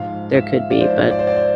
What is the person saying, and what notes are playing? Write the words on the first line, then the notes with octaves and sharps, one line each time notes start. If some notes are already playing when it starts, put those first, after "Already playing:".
there could be, but
Already playing: G#2 F3 F5
E5
D5
G#2 F3 C5
D5
C5
D5
C5